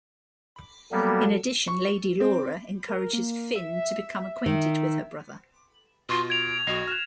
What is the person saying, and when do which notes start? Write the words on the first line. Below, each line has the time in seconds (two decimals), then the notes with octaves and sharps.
In addition, Lady Laura encourages Finn to become acquainted with her brother.
0.92 F#3 G3 A#3 B3 A4
1.68 C#6
2.20 C4
2.88 A#4
3.13 A#3
3.56 E5
4.46 D#3
6.09 B2 F4 C6 C#6 C7
6.30 G#6 D7 F7
6.67 B1 F#4 D#5 A#6 C7
6.88 F6 F#6 E7